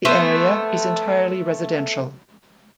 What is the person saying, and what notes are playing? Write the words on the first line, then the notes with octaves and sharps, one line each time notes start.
The area is entirely residential.
A3 B3 C5